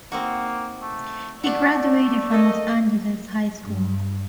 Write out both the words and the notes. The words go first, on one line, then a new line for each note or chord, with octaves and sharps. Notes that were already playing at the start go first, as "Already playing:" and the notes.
He graduated from Los Angeles High School.
A#3 C4 D#4 F#4
A3
A3 D4 F#4 D5
A#3 A4 D#5
G2